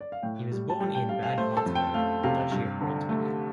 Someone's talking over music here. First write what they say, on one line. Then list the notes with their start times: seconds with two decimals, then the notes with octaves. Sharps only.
He was born in Bad Harzburg, Duchy of Brunswick.
0.01 D5
0.12 F5
0.23 A2 G5
0.52 G3
0.70 A5
0.80 G3 G5
0.95 G5
1.09 G3 F5
1.23 F5
1.38 A3 C5
1.57 A4
1.66 F2
1.75 G5
1.94 A3 F5
2.23 C3 F5
2.52 G2
2.81 D3
3.09 A3